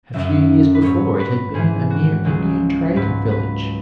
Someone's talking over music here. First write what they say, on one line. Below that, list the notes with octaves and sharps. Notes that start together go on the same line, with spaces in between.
A few years before it had been a mere Indian trading village.
F#2 C#3 F#3 E5
B4
G#2 F#3 C#5
B4
G#2 E3 G#4
F#4
C#2 C#3 F#3 G#4
G#2 F#3 B4
B4